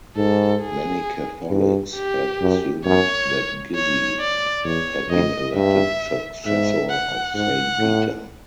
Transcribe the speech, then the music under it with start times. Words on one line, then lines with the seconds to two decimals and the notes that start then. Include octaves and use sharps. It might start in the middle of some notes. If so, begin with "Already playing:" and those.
Many Catholics had assumed that Gizzi had been elected successor of Saint Peter.
0.16 G#2 A4
0.61 G#4
1.51 G2
1.95 G4
2.41 F#2
2.85 F#2 C#5
3.75 C#5
4.20 D5
4.64 E2 C#5
5.09 F2 D#5
5.54 G2 E5
6.44 G#2 E5
6.89 F#5
7.34 G#2 F#5
7.79 A2